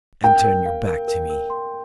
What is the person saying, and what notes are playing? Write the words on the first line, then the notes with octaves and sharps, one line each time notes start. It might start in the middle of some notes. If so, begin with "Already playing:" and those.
"And turn your back to me."
A#4 G5
A#4
F5
A#4
A#4
A#4
C6